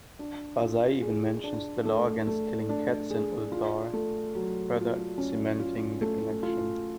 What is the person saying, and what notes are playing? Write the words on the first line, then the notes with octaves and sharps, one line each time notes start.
Barzai even mentions the law against killing cats in Ulthar, further cementing the connection.
D4
F4
G#4
D4
A3
A3
D4
G#4
F4
A3
F#3
F4
C#4
F4
A3
F4